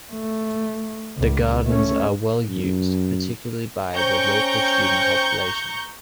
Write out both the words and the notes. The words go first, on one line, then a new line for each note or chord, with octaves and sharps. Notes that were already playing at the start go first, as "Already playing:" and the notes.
The gardens are well used, particularly by the local student population.
A3
C#2
A3 C#4
F#2
C#4 C5 G5 A#5 C#6 G6